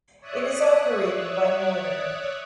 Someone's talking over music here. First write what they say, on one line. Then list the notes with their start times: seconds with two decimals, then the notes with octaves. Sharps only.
It is operated by Northern.
0.20 C#5 D5 E5 D#6 F#6